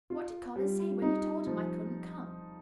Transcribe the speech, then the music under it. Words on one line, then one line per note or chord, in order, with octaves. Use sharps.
"What did Colin say when you told him I couldn't come?"
F4
G3
D#4
F3